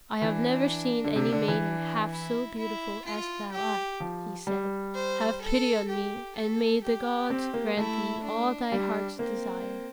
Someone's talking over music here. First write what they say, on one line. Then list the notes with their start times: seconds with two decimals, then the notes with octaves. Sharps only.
"I have never seen any maiden half so beautiful as thou art," he said. "Have pity on me, and may the gods grant thee all thy heart's desire."
0.22 E3 D4
1.04 D3
1.16 C3 D4
1.32 D3
1.48 E3
1.64 D4
2.11 E4
2.58 E4
3.05 F4
3.52 G4
4.00 F3
4.47 G3
4.94 C5
5.42 A4
5.88 G4
6.35 A4
6.83 G4
7.30 C4
7.54 A#3
7.77 A3 E4
8.24 D4
8.71 G3 D4
9.18 A#3 C4